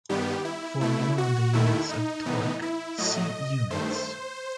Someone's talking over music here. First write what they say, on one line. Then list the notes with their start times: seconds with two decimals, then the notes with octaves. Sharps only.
For more on the units of torque, see Units.
0.09 G2 D#3 G3 B3 G4
0.45 E4
0.81 B2 A3 E4
1.18 F#4
1.53 D#2 D#3 A3 E4
1.89 D#4
2.25 A2 E3 B3
2.62 E4
2.98 A2 F#3 A3 D#5
3.70 G2 D#3 A3 C5